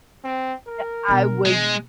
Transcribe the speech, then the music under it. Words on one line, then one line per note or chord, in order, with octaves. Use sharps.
Yep, I was
C4
A#4
B2 D3
G#3